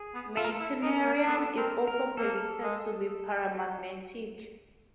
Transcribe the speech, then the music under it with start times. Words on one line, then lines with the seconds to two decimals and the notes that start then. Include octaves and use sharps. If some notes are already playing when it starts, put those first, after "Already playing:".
Meitnerium is also predicted to be paramagnetic.
Already playing: G#4
0.14 B3
0.37 F4 A4
0.44 A#4
0.52 A4
0.60 E4
0.82 D#4 A#4
1.04 A#3
1.27 B3 A4
1.57 C4 A#4
1.87 A#4
2.17 A#3 A4
2.63 G#3